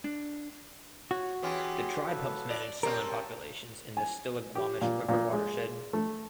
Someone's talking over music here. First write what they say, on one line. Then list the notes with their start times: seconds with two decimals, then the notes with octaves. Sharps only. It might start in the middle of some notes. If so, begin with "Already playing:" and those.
The tribe helps manage salmon populations in the Stillaguamish River watershed.
0.04 D4
1.11 F#4 C#5
1.42 E3 B3 C#4 G4 G#4 C6
2.06 A4 B4
2.50 D5
2.83 C4 C#4 G4 A#4 A5
3.97 G#5
4.55 G4
4.81 A#2
5.08 A#2
5.32 G#3
5.93 A3